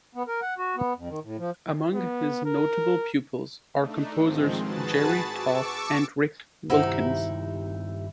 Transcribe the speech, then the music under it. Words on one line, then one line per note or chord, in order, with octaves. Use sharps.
Among his notable pupils are composers Jerry Toth and Rick Wilkins.
B3
A#4
F#5
F#4
B3
F2
D#3
A2
F3
B3
A#4
A3 D4 D#4
G#2 D#3 F3 G#3 C4
F#4 G#4 B4 A5 A6
A5 C#6 D6 E6
G2 C3 D#3 D#4 E4 C5 F#5